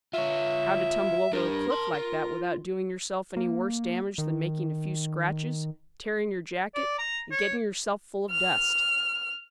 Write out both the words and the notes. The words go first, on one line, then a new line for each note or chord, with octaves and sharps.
"How to tumble over a cliff like that without doing yourself any worse damage than making a few scratches, tearing your jacket, and getting yourself full of dust."
F4 C#5 E5
D4 G4 A#4
A5 C6
F4
A#3
D#3
D5
A#5
C#5
F6